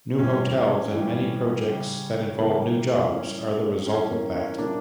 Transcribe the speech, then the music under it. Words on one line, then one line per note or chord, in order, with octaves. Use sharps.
New hotels, and many projects that involve new jobs, are the result of that.
A2 E3 G3 C#4
A2 E3 G3
C#3 G3
C#3 E3 G3 A#3
A2 G3 C#4
A2 E3 G3 C#4
A#3
C#4
A#2 G3 A#3 D4